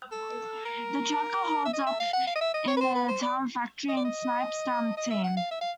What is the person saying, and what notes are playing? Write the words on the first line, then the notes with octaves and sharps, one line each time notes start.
The tracker holds up in the town factory and snipes down the team.
A4
A#4
E5
D#5
E5
F5
F#5
F5
D#5
E5
D#5
C#5
B4
C5
B4
C5
D5
D#5
D5
D#5
D#5
E5
F#5
F5
E5
F5